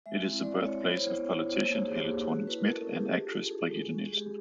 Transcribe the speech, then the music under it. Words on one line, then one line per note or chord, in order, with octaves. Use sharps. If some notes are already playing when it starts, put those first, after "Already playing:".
It is the birthplace of politician Helle Thorning-Schmidt and actress Brigitte Nielsen.
G#3 E5
C4 E4
G#3 D5
C4 E4 C#5
B3 C#5
C5
E4 C#5
B3
E4
C5
A#3 C#5
D#4 F#4
G#4
A#3 G4
D#4 F#4
A3 F#4
C#4 E4 B4
A3 A#4
A4
C#4 E4 G#4
A3 G4
D4 F4
A4
A3 G#4
F4
D4
G#3
C#4 F#4
G#4
G#3 G4